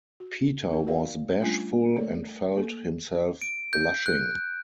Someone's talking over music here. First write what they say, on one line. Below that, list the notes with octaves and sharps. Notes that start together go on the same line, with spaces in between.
Peter was bashful and felt himself blushing.
F#4
D#4 A#4 F#5
F#4 A#4 D5 F5 G5
G3 A3 C#4 D4 F4 G#5
A3 A4 A#4 C#5 D5
A#3 A4
D7
G6
F#6